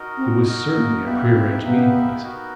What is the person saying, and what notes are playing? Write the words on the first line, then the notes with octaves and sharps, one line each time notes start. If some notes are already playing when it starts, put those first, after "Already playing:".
It was certainly a prearranged meeting place.
Already playing: D#4 F#4 A#4 D#5
C4
D#4 F#4 A#4 D#5
A#3
A#3 B3 D#4 G4 B4 E5
C4
A#3 B3 D#4 G4 B4 E5
B3 D#4 F#4 A#4